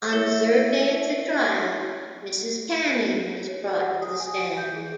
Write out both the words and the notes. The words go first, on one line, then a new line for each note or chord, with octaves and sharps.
On the third day of the trial, Mrs Canning was brought to the stand.
E4 C#5 E5
C#5
D5
F#5
D#6
G#5
D7
G6
G#4